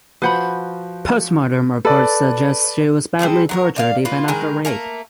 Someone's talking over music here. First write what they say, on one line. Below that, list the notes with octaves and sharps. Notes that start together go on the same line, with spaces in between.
Postmortem report suggests she was badly tortured even after rape.
F3 F#4 B4 F#5 B5 G6
A4 B4 D5
G3 G#3 C4 A4
F#3 A#4 C#5
D5 D#5 F5
A#3 F4 B4
D#3 G#3 A#4 B4
A3 A#3 G#4 A#4